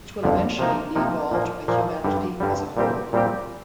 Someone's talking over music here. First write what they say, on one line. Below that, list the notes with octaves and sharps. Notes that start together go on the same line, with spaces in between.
It will eventually be evolved by humanity as a whole.
G1 F2 D3 F3
C3 F3 A#3 D#4
C3 F3 A#3 D#4
A#2 F3 A#3
A#2 F3 A#3
G2 D3 G3
G2 D3 G3
A#2 G3 C4 G4
A#2 G3 C4 G4